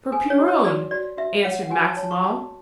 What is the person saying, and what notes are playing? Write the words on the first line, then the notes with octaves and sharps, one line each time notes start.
"For Piron!" answered Maximov.
A4 G#5
C#5
F#4
C#5
F#4 D5
F#4 D5
F#4 E5
C#5 F#5
F#5
F#4 G#5
A5
C#5 A5
C#6
F#4 A5